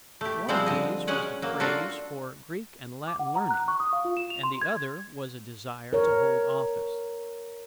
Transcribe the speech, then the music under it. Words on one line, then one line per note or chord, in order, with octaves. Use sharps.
One of these was the craze for Greek and Latin learning, and the other was a desire to hold office.
A3 G4
F3 G3 G#3 C4 C5
D3 D#5
F#3 G#3 C#4 F#5 G#5
F#3 A#3
D4 F4 F#4 A4
D6
F#5
A#5
F#6
C#6
D#6
F5
F4
E7
F7
C6
G#6
A#4 C#5